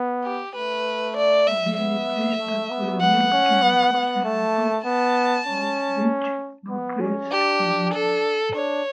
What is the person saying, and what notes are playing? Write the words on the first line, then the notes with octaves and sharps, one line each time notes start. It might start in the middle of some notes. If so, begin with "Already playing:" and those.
They replaced the colonial Campo Santo, of which no trace remains.
Already playing: B3
G4
A3 B4
D5
E5
B3 E5
A3
B3
B3 F#5
C#4
B3
B3
A3 A5
B3 A5
C#4
B3
C#4
D4 G4
A4
D4 C#5